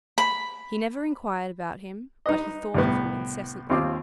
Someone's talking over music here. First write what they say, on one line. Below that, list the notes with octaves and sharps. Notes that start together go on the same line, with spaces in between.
He never inquired about him, but he thought of him incessantly.
B5
D#4 B4 D#5
C2 A2 B3
D#2 C4 F4 D6